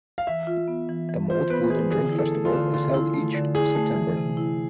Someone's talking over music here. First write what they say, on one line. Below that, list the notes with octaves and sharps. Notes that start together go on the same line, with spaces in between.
The Mold Food and Drink Festival is held each September.
F5
E3 E5
F4
B3
E3
E3
F4 C5
B3 B4
E3 G#4
D3 G#4
E4
A4
A3
F4
D3
D3 F4
E4
A3
D3
E4 G#4
A3
E3
C3
E4